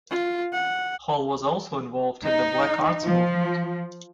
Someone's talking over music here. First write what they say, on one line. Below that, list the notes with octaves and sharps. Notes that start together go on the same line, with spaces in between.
Hall was also involved in the Black Arts Movement.
F4
F#5
D#4
F3